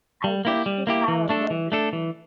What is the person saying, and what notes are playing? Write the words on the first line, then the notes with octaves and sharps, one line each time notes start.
I wish to have a word with him.
G3
A#3 E4 G4
G3
A#3 E4 G4
E3
A3 D4 A4
E3
A3 D4 A4
E3